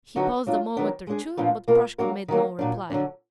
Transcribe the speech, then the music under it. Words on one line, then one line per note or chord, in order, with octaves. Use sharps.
He paused a moment or two, but Proshka made no reply.
D3 F#3 B3 D#4 F#4
F#3 D4 F4
D#3 F#3 B3 D4
G#3 D4 G#4
A#2 F3 B3 D4 F4
B2 A#3 F4 A#4
F#3 A#3 D4 F#4 A#4
D#3 F#3 A#3
A#2 F#3 D4
D3 F#3 D4